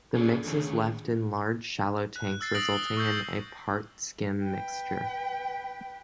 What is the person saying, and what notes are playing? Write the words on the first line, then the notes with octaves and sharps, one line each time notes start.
The mix is left in large shallow tanks resulting in a part skim mixture.
C#4 G#4 A4 D5
D3 D#3 A3 C#4 G#4
F#6
E6 A6 C7
D#6 A#6 D7 F#7
G7
C#6 E6 G6 C7
B4 G5